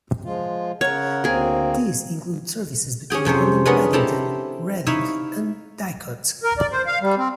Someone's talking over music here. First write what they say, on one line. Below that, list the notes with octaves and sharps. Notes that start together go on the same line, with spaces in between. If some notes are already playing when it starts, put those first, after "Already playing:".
These include services between London Paddington, Reading and Didcot.
F3 G#3 F4
C#3 A#4 C#5 F#5
D2 A#3 C4 G#4 A#4
C#4 G4 G#4 G5
F2 C3 C#4 C5
G#3 B3 C#4 D4 A#4 D#5
C4 E4 G4 A4 A5 A#5
D#4 E4 C#5 E5 F5
A#4
D5
C5
F5
G3
C4